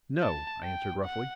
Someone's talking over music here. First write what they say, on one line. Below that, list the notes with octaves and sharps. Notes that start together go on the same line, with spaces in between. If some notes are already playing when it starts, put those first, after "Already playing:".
"No," I answered roughly.
A5
G5
F#5